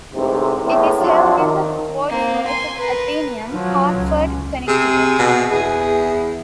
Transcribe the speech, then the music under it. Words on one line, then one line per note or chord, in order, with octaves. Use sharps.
It is held in the Wadsworth Atheneum, Hartford, Connecticut.
A1 G#2 C3
E2 A2
C3 F3 F#3 D4 F4
D#3
A#3 C4
G#5 C6
A#4 B4
F3 F#3
C#2
C3 G#4
B2
E2 G#4